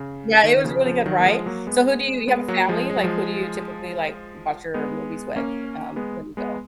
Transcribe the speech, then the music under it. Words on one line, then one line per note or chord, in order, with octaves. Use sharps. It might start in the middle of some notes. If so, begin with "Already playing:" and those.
Yeah, it was really good, right? So who do you you have a family, like, who do you typically, like, watch your movies with, um, when you go?
Already playing: C#3
D#3
D#3
C#3 F3
C#3 F3
D#3 F#3
A#3
F3 G#3
F#3 A#3
G#3 B3
G#3 B3
F#3 A#3
F3 G#3
G#3
F#3
F3 G#3
G#3 B3
A#3 C#4
G#3 B3
G#3 B3